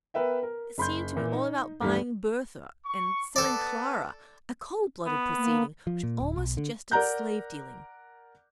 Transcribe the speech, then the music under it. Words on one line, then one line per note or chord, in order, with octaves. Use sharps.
It seemed to be all about buying Bertha and selling Clara--a cold-blooded proceeding which almost suggested slave-dealing.
B3 A#4 B4 E5 G5
A#4
F#1 B5 C6 G6
A#2 E3
D#4
D2 G2 E3 G3
C#6
B3 A4 D5 A5
B3
A#3
F3
A#2
D1
B1
D3
A#4 D5 F#5 A#5 F#6 G6